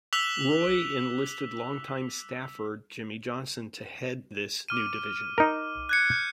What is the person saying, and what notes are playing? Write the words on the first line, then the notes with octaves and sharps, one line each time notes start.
Roy enlisted longtime staffer Jimmy Johnson to head this new division.
D6 E6 F#6 B6 F7 G7
D6 F6 D#7
D#4 A#4
F#6 G#6 C#7
G6